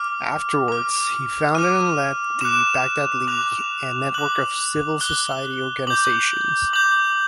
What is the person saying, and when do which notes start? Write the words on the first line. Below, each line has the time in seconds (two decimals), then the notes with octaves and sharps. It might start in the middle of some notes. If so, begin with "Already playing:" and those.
Afterwards he founded and led the "Baghdad League", a network of civil society organisations.
Already playing: D6 F6
0.68 D6 F6
1.55 D6 F6 D#7
2.41 D6 F#6 E7
3.27 D6 F#6 F7
4.14 D6 F#6 F#7
5.01 D6 F#6 G7
5.87 D6 G6 F#7
6.73 D6 G6 F#7